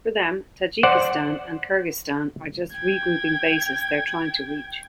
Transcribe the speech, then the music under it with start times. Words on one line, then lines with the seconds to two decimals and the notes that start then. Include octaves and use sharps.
For them, Tajikistan and Kyrgyzstan are just regrouping bases they're trying to reach.
0.83 C5 D5 F#5
2.74 G5 G#6